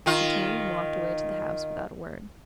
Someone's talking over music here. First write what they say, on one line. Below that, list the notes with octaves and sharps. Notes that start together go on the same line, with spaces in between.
She turned and walked away to the house without a word.
D#3 F4